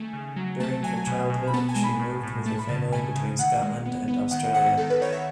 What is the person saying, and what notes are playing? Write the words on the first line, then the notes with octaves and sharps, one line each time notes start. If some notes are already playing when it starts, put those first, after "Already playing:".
During her childhood she moved with her family between Scotland and Australia.
Already playing: D#3 A3 G#5
C#3
F#3
A3 A5
F#3 G#5
B2
B2
B5
B3 A5
G#5
G#3
B5
A2
A2
A3 A5
B5
C#3 A5
A3 G#5
C#3
D#3 F#5
G#3
B3
B3
D#3 F#5
D#3 F#5
D#3 A4
B4
D#3 C#5
E5